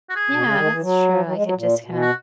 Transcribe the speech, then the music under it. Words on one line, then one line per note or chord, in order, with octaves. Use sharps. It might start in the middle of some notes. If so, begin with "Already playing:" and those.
Yeah, that's true, I could just kind of
F#4
G#4
B2
C#3
D#3
E3
F#3
F#3
G#3
F#3
A#2
A#2
B2
F#4